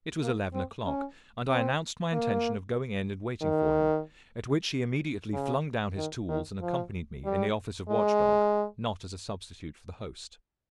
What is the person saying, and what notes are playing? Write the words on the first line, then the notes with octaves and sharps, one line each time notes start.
It was eleven o'clock, and I announced my intention of going in and waiting for him; at which he immediately flung down his tools and accompanied me, in the office of watchdog, not as a substitute for the host.
A#3
C4
C#4
C4
A#3
D#3
C#3
D#3
D#3
F3
G3
G#3